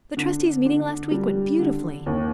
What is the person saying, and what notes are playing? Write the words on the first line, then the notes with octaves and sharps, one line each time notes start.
The trustees' meeting last week went beautifully.
D3
D3
G3
D3
D#2